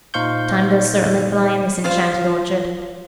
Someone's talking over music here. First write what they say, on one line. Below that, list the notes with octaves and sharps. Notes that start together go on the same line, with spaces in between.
Time does certainly fly in this enchanted orchard.
A#2 D#4 C5 F5 C#6 G6
F4 C5 F5